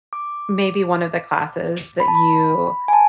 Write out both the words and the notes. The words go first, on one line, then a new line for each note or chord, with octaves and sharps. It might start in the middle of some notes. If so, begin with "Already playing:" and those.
maybe one of the classes that you
D6
B5
A5
B5
G#5
A5